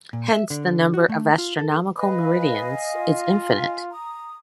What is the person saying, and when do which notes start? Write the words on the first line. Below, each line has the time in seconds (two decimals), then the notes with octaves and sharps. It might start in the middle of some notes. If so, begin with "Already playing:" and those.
Hence, the number of astronomical meridians is infinite.
0.13 A#2
0.33 E5
0.50 D3
0.94 F#4
1.09 A3
1.38 F4
1.59 A4
1.98 B4 D#5 F5 G#5
2.96 F4
3.90 A#5 D#6